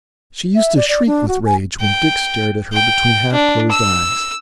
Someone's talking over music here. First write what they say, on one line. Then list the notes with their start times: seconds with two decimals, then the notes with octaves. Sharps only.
She used to shriek with rage when Dick stared at her between half-closed eyes.
0.55 E5
0.76 D5
0.89 D5
1.07 D4
1.28 F#4
1.46 G#5
1.80 G5
2.73 G5
3.33 D4
3.72 E6